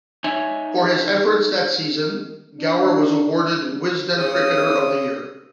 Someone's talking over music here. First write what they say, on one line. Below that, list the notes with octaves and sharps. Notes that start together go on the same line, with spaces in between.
For his efforts that season, Gower was awarded Wisden Cricketer of the Year.
D#4 C#5 E5 G#5
D4
C#3 D#6